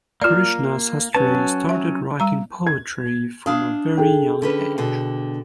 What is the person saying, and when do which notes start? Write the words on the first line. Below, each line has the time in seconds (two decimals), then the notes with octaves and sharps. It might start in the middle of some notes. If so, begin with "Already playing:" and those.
Krishnasastri started writing poetry from a very young age.
0.22 A#3 F4 D5 F6
1.15 F#3 C#4 B4 A5
1.69 E5
2.20 G3 A#5
2.67 G#6
3.46 D4 F5 D#6
3.98 G#4 A4 G5
4.42 D3 C#4 B4
4.78 B2 D3